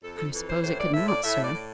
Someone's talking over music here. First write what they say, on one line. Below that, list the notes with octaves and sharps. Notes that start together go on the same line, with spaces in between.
"I suppose it could not, sir."
F2 A4
A4
E3 A4
C5
A2 C5
D5
A2 E5
D5
A2 E5
D5
A2